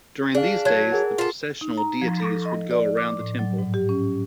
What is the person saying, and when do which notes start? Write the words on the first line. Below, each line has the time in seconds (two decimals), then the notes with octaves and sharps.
During these days the processional deities would go around the temple.
0.35 D4 G#4 F5
0.65 F#3 A5 G#6
0.92 G#4 A#4 F#5
1.18 F4 A4
1.61 D#4
1.77 A#5
2.02 F3
2.20 A4
2.45 D#5
2.71 D5
2.97 D6
3.19 A2
3.39 F#3
3.58 G#2
3.74 G4
3.89 C#4